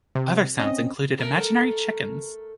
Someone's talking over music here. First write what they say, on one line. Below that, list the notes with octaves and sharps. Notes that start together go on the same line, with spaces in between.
Other sounds included imaginary chickens.
C3
C4 C#4 D#5
A3 A#4